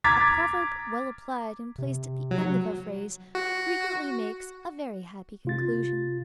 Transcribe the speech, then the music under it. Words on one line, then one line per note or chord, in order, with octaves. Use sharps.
A proverb well applied, and placed at the end of a phrase, frequently makes a very happy conclusion.
A#5 D6 G#6 A6 B6
C3
F#3
F#4
C3 F4 A6